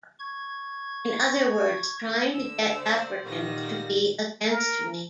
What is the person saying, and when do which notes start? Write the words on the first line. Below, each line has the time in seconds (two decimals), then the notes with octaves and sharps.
In other words, trying to get Africans to be against me.
0.19 C#6 G#6
2.34 D3 E6
2.76 C5 D5
3.25 A#2 D#3 G3 A#3 F#4 A#6
4.49 A#4